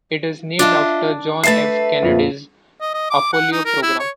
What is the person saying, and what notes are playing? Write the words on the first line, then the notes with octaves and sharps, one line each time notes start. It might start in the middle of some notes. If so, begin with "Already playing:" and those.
It is named after John F. Kennedy's Apollo program.
D4 F4 D#5 E5
A3 B4 E5 A6 C7
F2 A#2
D#5
D#5
D6
F#5
D#4
A#4
E4
C#5